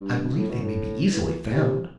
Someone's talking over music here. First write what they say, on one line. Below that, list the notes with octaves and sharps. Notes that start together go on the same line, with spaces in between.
I believe they may be easily found.'
G2
A2
B2
A2
E3
C3